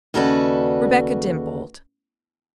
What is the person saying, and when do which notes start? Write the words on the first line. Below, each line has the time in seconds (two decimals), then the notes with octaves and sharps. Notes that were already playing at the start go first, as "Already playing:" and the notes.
Rebecca dimpled.
0.14 D#2 C#3 F#4 A4 B4 D5